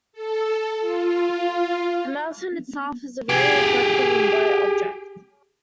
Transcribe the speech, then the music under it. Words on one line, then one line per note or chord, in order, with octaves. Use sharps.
The mountain itself is a very reflective and bright object.
A4
F4
G4 G#4